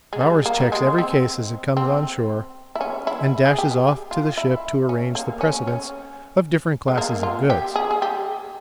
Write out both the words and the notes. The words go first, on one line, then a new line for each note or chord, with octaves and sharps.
Bowers checks every case as it comes on shore and dashes off to the ship to arrange the precedence of different classes of goods.
G#3
G3
A#3
G3
G#3
C4
C4
E4
C#4
E4
G#4
G4
F4
E4
C#4
A#3
C#4
C#4
G#3
A#3
F4
G4
G#4
G#4
G4